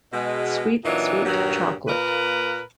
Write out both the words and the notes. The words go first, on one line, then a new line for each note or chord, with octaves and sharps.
Sweet, sweet chocolate.
B2 G#3
A#2 E3 F#3 D4 D#4
G2 A#2 D#3 F#3
A#2 A#3 A#4 B4